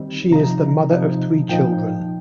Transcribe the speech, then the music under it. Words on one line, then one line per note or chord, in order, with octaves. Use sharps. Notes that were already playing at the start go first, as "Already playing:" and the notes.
She is the mother of three children.
Already playing: D#3 G3 C4 D#4
C3 F3 D#4 A#5
C3 F3 D#4
A#2 F3 D#4 G5